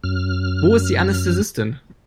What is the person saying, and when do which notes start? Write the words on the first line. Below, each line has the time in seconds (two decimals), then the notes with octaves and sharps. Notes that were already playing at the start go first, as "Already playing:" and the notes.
Wo ist die Anästhesistin?
0.04 F#2 F6